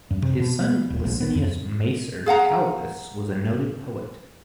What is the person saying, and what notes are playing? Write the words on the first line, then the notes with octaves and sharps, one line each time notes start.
His son Licinius Macer Calvus was a noted poet.
F#2
C3
B2
B3
D#1
A#1
B3
F2
G#4 F5 F#5 A#5